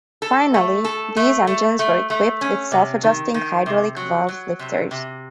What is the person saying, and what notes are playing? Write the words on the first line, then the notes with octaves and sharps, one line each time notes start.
Finally, these engines were equipped with self-adjusting hydraulic valve lifters.
A4
A3
A4
A3
A3
A3
A3
C#4
C3
D#3
D#3
C3
F#3
F#3
C3
C3